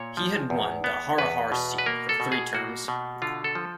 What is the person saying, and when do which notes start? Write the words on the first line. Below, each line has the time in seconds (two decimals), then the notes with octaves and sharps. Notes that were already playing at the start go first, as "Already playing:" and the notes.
He had won the Harihar seat for three terms.
Already playing: A#2 C#5
0.17 F3
0.50 E2
0.84 B3
1.18 E2 B4
1.52 B2
1.78 B4
1.86 A#3 A#4
2.09 A4
2.20 B2
2.32 G#4
2.54 A#3 F#4
2.88 B2
3.22 D3 F4
3.44 A4
3.55 F3